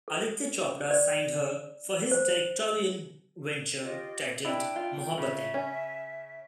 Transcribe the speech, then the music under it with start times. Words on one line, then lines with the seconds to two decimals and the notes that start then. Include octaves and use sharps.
Aditya Chopra signed her for his directorial venture titled "Mohabbatein".
0.08 A4
0.91 D5
2.11 C5
3.79 F4 G4 D#5
4.45 D4 E4 B4 G5
4.76 F4
5.18 C#3 E5
5.54 C#4